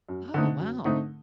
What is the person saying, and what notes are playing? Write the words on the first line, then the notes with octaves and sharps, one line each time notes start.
Oh, wow.
F#2
D3 A3 C4 D#4
F#2
D3 A3 C4 D#4